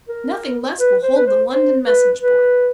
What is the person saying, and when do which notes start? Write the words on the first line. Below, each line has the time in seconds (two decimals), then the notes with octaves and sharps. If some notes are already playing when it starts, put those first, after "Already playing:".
Nothing less will hold the London message-boy.
0.09 A#4
0.80 B4
1.03 C5
1.17 B4
1.27 C5
1.50 C5
1.86 B4
2.21 B4